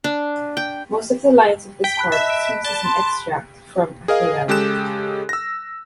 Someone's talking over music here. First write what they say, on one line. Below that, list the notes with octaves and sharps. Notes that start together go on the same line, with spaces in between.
Most of the lines of this part seems as an extract from Akilam.
D4
G5
G5 B6
A5 B5 F#6
D#5 E5
D7
D5 A5 G7
C6
G#4 A#4 D#5 F5
C#3 G#3 G4 A4 F#6 E7
E6 A#6